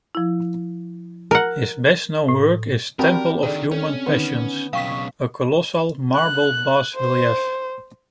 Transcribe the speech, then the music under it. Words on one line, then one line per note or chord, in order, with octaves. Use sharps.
His best known work is "Temple of Human Passions", a colossal marble bas-relief.
F3 E4
A#4 F#5
A2
C4 D4 F#4 G4 A#4 C#6
D3 D#3 G#4 A4 D5
C#4 A4
D3 D#3 B3 D#4
B1 C#3 F5 G5 C#6 B6
F#6
C5